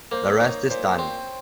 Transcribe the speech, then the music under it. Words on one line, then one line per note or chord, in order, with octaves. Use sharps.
The rest is done.
A#3 C5
D#4 C#5
A#2 C5
C4